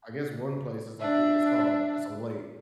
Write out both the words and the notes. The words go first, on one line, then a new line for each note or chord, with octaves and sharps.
I guess one place is, like, we it's called a it's a lake,
D4 E5